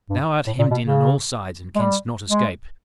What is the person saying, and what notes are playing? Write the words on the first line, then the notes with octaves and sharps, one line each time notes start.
"Thou art hemmed in on all sides, and canst not escape!"
G2
A2
A#2
B2
C#3
G#3
G3
G#3